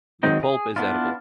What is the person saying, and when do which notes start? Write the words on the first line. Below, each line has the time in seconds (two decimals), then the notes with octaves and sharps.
The pulp is edible.
0.23 D#3 F#3 G#3 C4 D#4
0.43 G#4
0.76 B3 D4 E4 F4